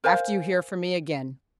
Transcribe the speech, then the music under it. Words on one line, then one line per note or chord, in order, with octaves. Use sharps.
After you hear from me again.
A#4 C5 F5 G#5